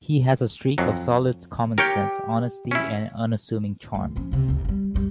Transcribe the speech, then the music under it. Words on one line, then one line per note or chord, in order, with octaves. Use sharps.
He has a streak of solid common sense, honesty, and unassuming charm.
F2 F#3
G4 A#4 C#5 G5
C#4 E4
D2
F3 C#4
C#2 C3
G1 D2
F3 G3
F#2 G3